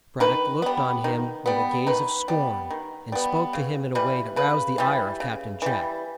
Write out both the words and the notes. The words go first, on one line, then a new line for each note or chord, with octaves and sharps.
Brad-dock looked on him with a gaze of scorn, and spoke to him in a way that roused the ire of Cap-tain Jack.
D#3 B4
G3 B3
D#3
G3 B3
D#3 B4
G3 B3
D#3
G3 B3
C#3
E3 G3 B4
C#3 B4
E3 G3
C#3
E3 G3